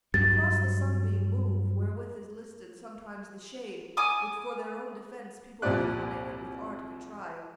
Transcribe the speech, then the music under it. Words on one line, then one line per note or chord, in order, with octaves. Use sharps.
Across the sunbeam move, wherewith is listed Sometimes the shade, which for their own defence People with cunning and with art contrive.
G2 F#3 A6
G#5 D6 D#6
C2 F2 A#2 G4 D5 F#6